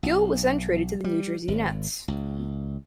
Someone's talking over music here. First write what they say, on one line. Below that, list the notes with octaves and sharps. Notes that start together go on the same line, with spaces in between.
Gill was then traded to the New Jersey Nets.
B1
G3
G#1
C#2